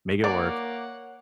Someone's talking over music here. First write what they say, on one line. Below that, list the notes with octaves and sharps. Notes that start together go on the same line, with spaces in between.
make it work."
A#3 C#5 D5 F#5 D6